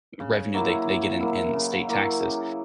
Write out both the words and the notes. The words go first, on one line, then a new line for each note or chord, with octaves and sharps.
revenue they they get in in state taxes,
C#3
F#3 A#3 E4
C#3
F#3 A#3 E4
C#3
F#3 A#3 E4
C#3